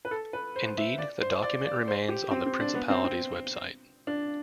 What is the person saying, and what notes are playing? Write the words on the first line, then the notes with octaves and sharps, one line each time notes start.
Indeed, the document remains on the Principality's website.
B4
A4
B4
C5
E5
D5
C5
D5
D5
C5
G4
C4
C4
D4
B3
C4
C4
D4